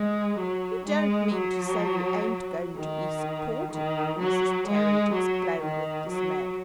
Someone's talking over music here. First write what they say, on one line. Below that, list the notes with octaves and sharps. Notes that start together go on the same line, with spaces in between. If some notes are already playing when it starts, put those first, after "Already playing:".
"You don't mean to say you ain't going to be supported?" Mrs. Tarrant exclaimed, with dismay.
Already playing: G#3
F#3
G#3
F#3
D#3
D#3
F#3
G#3
F#3
D#3
F#3